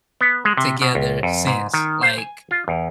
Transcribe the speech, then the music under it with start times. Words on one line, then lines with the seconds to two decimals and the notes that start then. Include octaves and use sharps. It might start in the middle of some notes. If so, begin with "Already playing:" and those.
together since, like,
0.21 B3
0.45 G#3
0.57 C3
0.82 B2
0.95 C#2
1.23 F2
1.47 G#2
1.74 D#3
2.03 C5
2.18 G#5
2.51 F4
2.68 E2